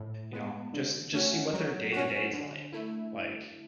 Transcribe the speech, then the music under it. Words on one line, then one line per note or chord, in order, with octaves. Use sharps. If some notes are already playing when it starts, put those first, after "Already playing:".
you know, just just see what their day to day is, like like,
Already playing: A2
G#3 B3
D3
A3 C#4 F#4
F#3
C#4 F#4
D3
A3 E4